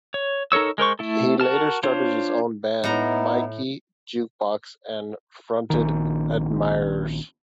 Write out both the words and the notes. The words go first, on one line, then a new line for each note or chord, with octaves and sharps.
He later started his own band, Mikey Jukebox, and fronted Admirers.
C#5
D#4 A4 A#4 C#5 E6
G#3 A#4 C5 C#6
A3 E4 A4
F#4 A#4 A5 F6
D4 F4 C5 C#5
A2 B3 D#4 E4 A#5
A#1 D#3